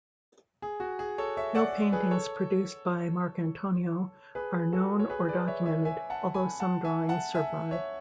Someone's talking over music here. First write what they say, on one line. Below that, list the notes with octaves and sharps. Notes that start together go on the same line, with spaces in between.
No paintings produced by Marcantonio are known or documented, although some drawings survive.
G#4
F#4
G#4
A4 C#5
C#5 E5
D5 F#5
G#4 B4
A4 C#5
G#4 B4
F#4 A4
C#5
G#4 B4
B4 D5
C#5 E5
E5 G#5
E5 G#5
F#5 A5
G#5 B5
F#5 A5
E5 G#5
F#5 A5
E5 G#5
C#5 E5